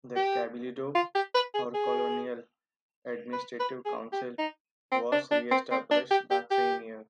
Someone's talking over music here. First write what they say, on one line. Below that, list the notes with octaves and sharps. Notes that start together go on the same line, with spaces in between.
The Cabildo, or colonial administrative council, was re-established that same year.
G4
F4
G4
B4
G#4
G#4
B4
B4
G#4
G4
D#4
C4
D4
D4
C4
C4
D4
G4
G4
G4